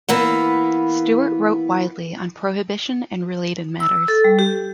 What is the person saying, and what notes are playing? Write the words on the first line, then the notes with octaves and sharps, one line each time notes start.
Stewart wrote widely on prohibition and related matters.
E3 A#3 B3
E6
A4
G3
G4